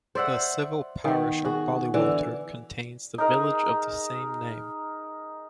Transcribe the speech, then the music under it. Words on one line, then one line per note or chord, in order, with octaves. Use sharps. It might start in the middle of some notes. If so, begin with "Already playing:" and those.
The civil parish of Ballywalter contains the village of the same name.
C5 D5 E5 F#5
D#3 B3
F#4 G#4
D3 E3
D#4 G#4 A#4 D#5